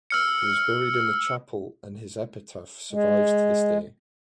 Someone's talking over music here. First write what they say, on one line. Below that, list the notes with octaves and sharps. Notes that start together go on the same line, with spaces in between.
He was buried in the chapel and his epitaph survives to this day.
E6 F6 C#7
G#3